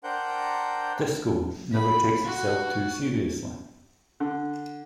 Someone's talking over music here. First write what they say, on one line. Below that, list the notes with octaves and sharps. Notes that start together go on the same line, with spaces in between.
Disco never takes itself too seriously.
D4 A#4 C5 F#5 G5 G6
B5
F#4
D3